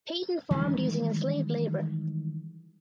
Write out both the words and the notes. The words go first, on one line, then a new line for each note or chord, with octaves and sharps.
Peyton farmed using enslaved labor.
D#3 E3 G3 G#3